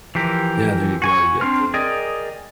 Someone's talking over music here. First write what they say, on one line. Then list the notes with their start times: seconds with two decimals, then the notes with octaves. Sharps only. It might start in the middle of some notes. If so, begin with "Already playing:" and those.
Yeah, there you go. You got the,
0.15 E3 F3 G4 A#4
1.02 F#4 G#5 C#6
1.41 C4 D4 C6 F6
1.74 G#4 A#4 D5 D#5 G5